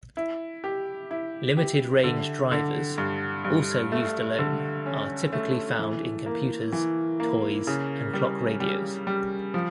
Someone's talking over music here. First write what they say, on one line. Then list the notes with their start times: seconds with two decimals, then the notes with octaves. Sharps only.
Limited-range drivers, also used alone, are typically found in computers, toys, and clock radios.
0.17 E4
0.64 G4
1.11 E4
1.57 G4
2.04 D3
2.52 D3
2.98 G2
3.45 G2
3.92 A3
4.39 D3
4.86 C#4
5.33 A3
5.79 E3
6.26 A#3
6.73 E3
7.20 A#3
7.67 C#3
8.13 G3
8.60 G3
9.07 G3
9.54 F3